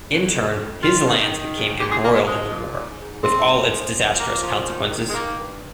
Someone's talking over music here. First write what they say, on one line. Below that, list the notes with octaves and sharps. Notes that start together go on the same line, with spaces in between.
In turn, his lands became embroiled in the war, with all its disastrous consequences.
F2
D#3
F2
D#3 F4
D#3
D#3
G#2
A#2 G4
G#4
F3 A#3
G#3
F3 G#3
A#2
G#2
G#2
D#3 C4
G#2
F3
F3
A#2 A#3
F3
D#3
D#3
G#3
D#3 A#3
G2